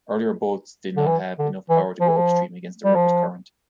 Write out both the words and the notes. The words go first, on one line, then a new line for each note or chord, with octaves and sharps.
Earlier boats did not have enough power to go upstream against the river's current.
D3
E3
D3
E3
F3
E3
F3
G3
F3